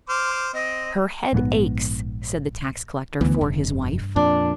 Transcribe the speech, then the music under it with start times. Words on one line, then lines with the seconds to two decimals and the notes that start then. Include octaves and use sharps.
"Her head aches," said the tax-collector for his wife.
0.09 C5 D6 F6
0.53 C4 D#5
1.33 A#1 G#2 C3 B3
3.21 D2 E3 B3
3.41 F1 G2
4.16 F2 A#2 D4